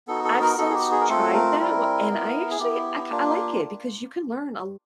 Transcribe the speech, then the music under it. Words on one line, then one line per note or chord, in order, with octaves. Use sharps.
I've since tried that w and I actually, I k I like it because you can learn a
B3 D#4 F#4 A4
A4
A#4
B3 D#4 F#4 A4
G#4
G4
G#4
A#4
A3 C4 F4 A4
A#4
G3 C4 E4 A#4
B3 E4
G#4
B3 E4 G4
A#3 D4 F4